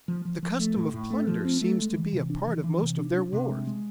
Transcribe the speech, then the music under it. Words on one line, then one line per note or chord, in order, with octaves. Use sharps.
The custom of plunder seems to be a part of most of their wars.
F3
F3
F3
A3
A2
A2
A3
F3
C4
A3
G#3
E3
C3
D4
E3
E3
C3
D4
D4
C3
G#3
G#3